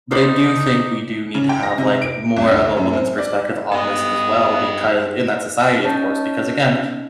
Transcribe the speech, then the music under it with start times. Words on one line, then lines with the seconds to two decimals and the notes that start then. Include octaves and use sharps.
But I do think we do need to have, like, more of a woman's perspective on this as well becau In that society of course, because again,
0.11 D#4 C5 D5 B5
1.35 C#3
1.49 G5
1.63 A#6
1.78 C3
2.02 D7
2.37 C2
2.51 D2
2.77 F#2
2.93 C4
3.18 D5
3.72 G2 B3 A4 D#5 D#6
5.83 C#4 D#4 A5